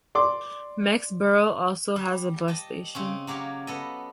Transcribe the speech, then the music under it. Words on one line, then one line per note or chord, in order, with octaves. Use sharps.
Mexborough also has a bus station.
D5 C6 D6
G3
D#5 G5 A5
C#3 C4 C#4
F#3 A#3 G4 C#5 F5
B3 A4 D#5